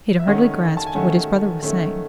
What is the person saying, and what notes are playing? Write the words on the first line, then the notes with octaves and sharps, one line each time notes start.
He had hardly grasped what his brother was saying.
E5
D#3 A3 C#4 F#5
A5
G#5
D#3 A3 C#4 F#5
D#3 A3 C#4